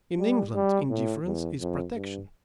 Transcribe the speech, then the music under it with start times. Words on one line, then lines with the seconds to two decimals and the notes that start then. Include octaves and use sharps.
In England, indifference is protection.
0.19 G3
0.55 G3
0.90 A2
1.25 E2
1.60 F2
1.95 G2